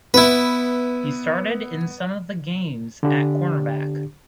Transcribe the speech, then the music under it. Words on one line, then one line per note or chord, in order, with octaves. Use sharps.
He started in some of the games at cornerback.
B3 E4 B4
D3 D4 G4